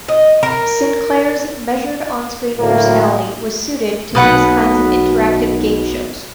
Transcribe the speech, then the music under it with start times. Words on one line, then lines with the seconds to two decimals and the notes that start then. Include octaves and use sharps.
Sinclair's measured on-screen personality was suited to these kinds of interactive game shows.
0.08 D#5
0.43 A#4
2.60 A2 D3 F#3 A#3
4.15 B1 B2 B4 F#5